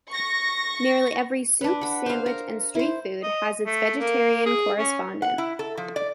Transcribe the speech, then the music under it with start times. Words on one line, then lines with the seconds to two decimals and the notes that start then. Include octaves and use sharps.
Nearly every soup, sandwich and streetfood has its vegetarian correspondent.
0.11 C#6 A#6
1.61 D4 B4
1.81 F#5 B5
2.06 C5 F5
2.26 A#4
2.75 E4 C5
3.23 D#5
3.66 A3
3.99 A#3
4.46 G#4
4.78 C#4
5.22 F#5
5.38 E4
5.59 A4
5.77 F3
5.96 D5